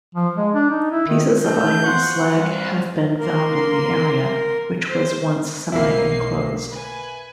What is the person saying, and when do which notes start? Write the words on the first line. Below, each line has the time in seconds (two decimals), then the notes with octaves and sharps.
Pieces of iron slag have been found in the area, which was once semi-enclosed.
0.15 F3
0.37 G#3
0.54 D4
0.70 D#4
0.91 E4
1.07 D#3
1.44 A3 C#4 D#4 G6
1.84 F3 F#4 F#5 C6 C#6
2.36 G2 C4 F5
3.20 A#3 A#4 C6
4.89 C5
5.72 B1 A#3 D#4 E4 C7
6.72 B4 G#5